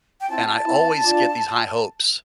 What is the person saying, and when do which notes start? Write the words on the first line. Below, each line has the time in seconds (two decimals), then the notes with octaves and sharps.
And I always get these high hopes
0.20 G5
0.30 C4 E4 A5
0.66 C4 E4
1.02 D4 F4